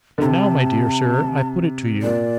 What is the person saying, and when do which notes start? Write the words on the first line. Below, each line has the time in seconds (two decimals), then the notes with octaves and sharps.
And now, my dear Sir, I put it to you.
0.18 D3
0.21 C3 A5 A#5
2.02 A#2 D5